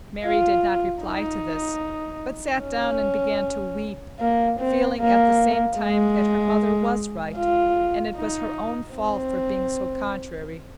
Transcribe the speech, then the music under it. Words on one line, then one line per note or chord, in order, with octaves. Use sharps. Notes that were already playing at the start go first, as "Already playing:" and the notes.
Mary did not reply to this, but sat down and began to weep, feeling at the same time that her mother was right and it was her own fault for being so contrary.
F4
D#4
C#4
A#3
C4
A#3
G#3
F4
D#4
C4